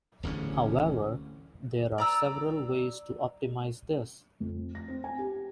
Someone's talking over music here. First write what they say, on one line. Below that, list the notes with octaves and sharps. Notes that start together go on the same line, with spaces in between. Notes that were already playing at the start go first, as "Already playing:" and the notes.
However, there are several ways to optimize this.
D1 A1 D3 C#4
D5 A#5 E6
F2
A#6
C4
G#5
G4